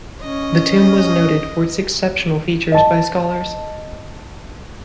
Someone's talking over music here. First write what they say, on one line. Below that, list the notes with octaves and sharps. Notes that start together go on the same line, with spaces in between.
The tomb was noted for its exceptional features by scholars.
C#4 D#5
D#5 A5